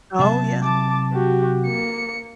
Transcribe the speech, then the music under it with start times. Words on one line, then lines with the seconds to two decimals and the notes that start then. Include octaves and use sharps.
Oh yeah, true.
0.19 C3 F#3 E5 A5
0.64 A5 D6
1.14 F#4 G4
1.66 A#3 C#7